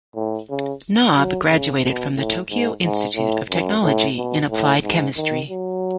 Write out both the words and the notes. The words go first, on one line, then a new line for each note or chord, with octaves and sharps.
Nob graduated from the Tokyo Institute of Technology in applied chemistry.
A2
C#3
F#3
C#3
B2
A2
G#2
G#2
A2
F#2
A2
B2
A2
G#2
D#3
F#3